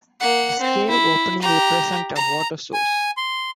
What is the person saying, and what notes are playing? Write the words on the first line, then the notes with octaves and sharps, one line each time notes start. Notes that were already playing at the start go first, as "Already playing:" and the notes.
This cave opening represents a water source.
A#3 F#5
C4
E4
G4 A#5
A#5
G#5
C6